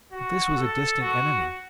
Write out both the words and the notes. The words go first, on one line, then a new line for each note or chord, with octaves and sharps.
But this was a distant enemy.
F#4
A4
F#4